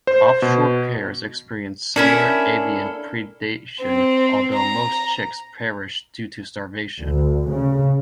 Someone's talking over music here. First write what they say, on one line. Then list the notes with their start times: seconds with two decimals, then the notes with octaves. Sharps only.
Off shore pairs experience similar avian predation although most chicks perish due to starvation.
0.07 C5
0.42 B2
1.96 A#3 C#4 D4 E4 A4
3.82 C4
4.55 A#5
7.01 D2
7.53 C#3